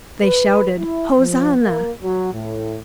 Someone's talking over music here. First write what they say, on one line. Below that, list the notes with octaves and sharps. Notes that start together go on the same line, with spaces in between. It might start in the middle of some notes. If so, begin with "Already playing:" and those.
They shouted, "Hosanna!"
B4
E4
F3
A#3
F#3
A2